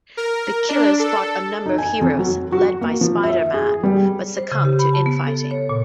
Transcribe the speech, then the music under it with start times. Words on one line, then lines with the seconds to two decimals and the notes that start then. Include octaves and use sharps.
The killers fought a number of heroes, led by Spider-Man, but succumbed to in-fighting.
0.17 A#4
0.69 D4
0.99 A4
1.66 D#4
1.78 G#5
2.01 F2
2.19 F#3
2.52 F#4
2.81 A#3
3.01 F3
3.23 E5
3.54 G#4
3.83 G3
4.37 C5
4.52 C#3
4.65 G4
4.79 B5
4.93 A5
5.06 B3
5.27 A4
5.51 C#5
5.69 A#2